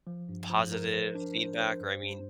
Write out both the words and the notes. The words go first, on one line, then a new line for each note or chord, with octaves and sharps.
positive feedback or, I mean
F3
G2
F3
A#4
C5
D4
C5
C5
G2
G2